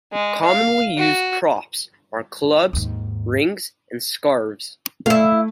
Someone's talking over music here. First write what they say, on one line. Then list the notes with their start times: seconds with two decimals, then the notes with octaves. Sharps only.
Commonly used props are clubs, rings and scarves.
0.12 G#3
0.45 F5
0.97 F#4
2.73 D#2 G#2
5.06 A3 E4 F5